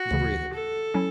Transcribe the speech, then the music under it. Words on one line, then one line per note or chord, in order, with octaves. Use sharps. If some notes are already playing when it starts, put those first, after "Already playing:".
He's breathing.
Already playing: F#4
D2 C#3 E3
A4
F#3 C#4 E4